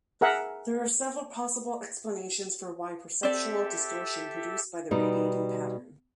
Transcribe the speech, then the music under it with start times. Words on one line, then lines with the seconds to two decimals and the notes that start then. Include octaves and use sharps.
There are several possible explanations for why perceptual distortion produced by the radiating pattern.
0.21 G#4 A#4 E5 F#5
3.23 C4 G4 A4 D5 E5
4.91 B2 G3 D#4